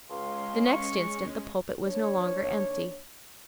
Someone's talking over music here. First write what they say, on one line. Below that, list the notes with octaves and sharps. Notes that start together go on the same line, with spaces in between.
The next instant the pulpit was no longer empty.
C#2 G#3 C#4 F5 C6
C#6
D#2 D4 C#5